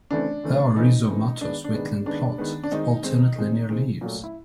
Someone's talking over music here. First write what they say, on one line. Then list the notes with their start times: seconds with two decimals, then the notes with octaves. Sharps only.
They are rhizomatous wetland plants with alternate linear leaves.
0.11 C#3 E3 A3 C4 D4
0.44 C#3 E3 A3 C4
0.76 C#3 E3 A3 C4 D#4
1.08 C#3 E3 A3 C4
1.41 D#3 G#3 B3 D4
1.64 D4
1.73 D#3 G#3 B3
2.06 D#3 G#3 B3 D4
2.38 D#3 G#3 B3
2.64 D4
2.71 D#3 G#3 C4 D#4
3.04 D#3 G#3 C4
3.36 D#3 G#3 C4
3.69 D#3 G#3 C4
4.01 A#2 F#3 A3
4.24 E4